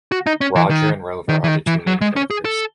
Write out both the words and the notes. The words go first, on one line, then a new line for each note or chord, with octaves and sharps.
Roger and Rover are the two main characters.
F#4
D#4
C#4
E3
D#3
D#3
E3
D#3
E3
F#3
G#3
C#4
G#4
A4